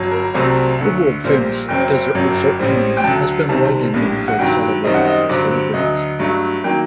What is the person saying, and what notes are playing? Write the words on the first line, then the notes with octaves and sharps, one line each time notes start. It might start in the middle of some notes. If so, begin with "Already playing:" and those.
The world-famous desert resort community has been widely known for its Hollywood celebrities.
Already playing: G1 F#3
A#4
C2 C3 F#3 A3 C4
D2 D3 A3
A#1 A#2 G3 A#3 C5
F#1 F#2 F#3 C4 G5
G1 F#2 F#3
A1 A2 G3 C4
G5
D2 D3 F#3 A5
C2 C3 D#3 G3 C4 A5
A#1 A2 G3 A#3 D4
F#5
G2 D#3 F#3 G5
F#2 D#3 G3 C4 D#5
F#5
D#5
G2 D3 F#3 C4 D5
D2 D3 F#3 D#5
G2 F#3 A3 D4
D#3 F#3 A#3 G5